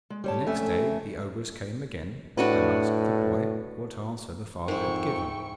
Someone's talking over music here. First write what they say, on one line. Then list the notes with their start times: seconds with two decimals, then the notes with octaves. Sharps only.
The next day the ogress came again, and asked the boy what answer the father had given.
0.10 G#3
0.24 G3 C#5 A5
0.46 F2 A3 C#4 E5 G#5
2.37 A2 D4 F#4 B4
4.68 F2 G#2 E4 A#4 C5 G5 C#6